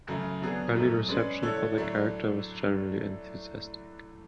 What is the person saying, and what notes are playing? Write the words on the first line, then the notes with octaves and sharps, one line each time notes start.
Early reception for the character was generally enthusiastic.
F#2 C#3 F#3 A3
D3 F#3 B3 D4 G#4
G#2 F#3 A3
G#3 C#4 G#4 B4 D5
D3 A3 E4 A4 C#5
A2 F#3 A3 D4